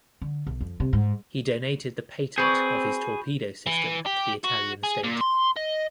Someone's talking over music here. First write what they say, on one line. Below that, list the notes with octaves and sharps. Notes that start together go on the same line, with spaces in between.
He donated the patent of his torpedo system to the Italian State.
D3
B1
F2
C3
G#2
C4 F#4 G#4 B4 D5 G6
E3
G4
F#4
G#4
A#2
C6
D#5